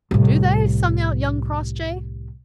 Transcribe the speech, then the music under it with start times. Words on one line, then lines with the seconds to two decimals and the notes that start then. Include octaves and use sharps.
"Do they?" sung out young Crossjay.
0.11 C2 A2